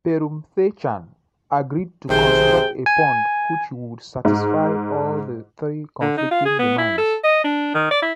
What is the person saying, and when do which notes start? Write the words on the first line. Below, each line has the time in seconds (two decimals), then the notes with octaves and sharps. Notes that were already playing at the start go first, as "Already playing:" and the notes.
Perumthachan agreed to construct a pond which would satisfy all the three conflicting demands.
2.09 B1 C3 D#3 G#4 C5 G5
2.86 G#5
4.25 G#2
6.01 D3
6.17 D#4
6.31 F4
6.45 G#4
6.59 B3
6.78 E4
6.98 A4
7.24 D#5
7.44 D4
7.75 D#3
7.91 D5
8.02 E4